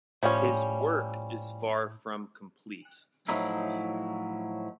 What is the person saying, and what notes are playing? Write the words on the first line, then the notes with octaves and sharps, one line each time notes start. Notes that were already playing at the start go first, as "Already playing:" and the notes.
His work is far from complete.
A2 F3 G3 C#4
A2 F3 F#3 D#4 E4